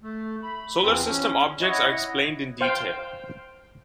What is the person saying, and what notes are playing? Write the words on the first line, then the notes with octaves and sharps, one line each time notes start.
Solar system objects are explained in detail.
A3
B5
E2 E3 F3 C4
C#4
E4 C#5 D#5 F#5
C5 F5 G5